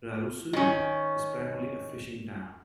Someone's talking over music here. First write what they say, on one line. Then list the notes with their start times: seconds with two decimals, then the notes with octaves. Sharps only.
Rausu is primarily a fishing town.
0.53 D#3 C#4